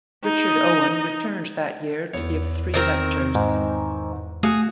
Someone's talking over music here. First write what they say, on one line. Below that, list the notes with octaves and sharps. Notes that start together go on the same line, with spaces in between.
Richard Owen returned that year to give three lectures.
D#4 D#5
E2 C#5
D#3 C4 A#4
G#2
A3 F#4 G#4 F5